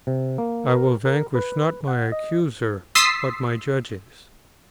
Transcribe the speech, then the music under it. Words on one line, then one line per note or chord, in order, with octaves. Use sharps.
I will vanquish, not my Accuser, but my judges.
C3
A#3
A#4
A#4
B4
F#5
D#5
C6 D#6 E6 A6 B6 C7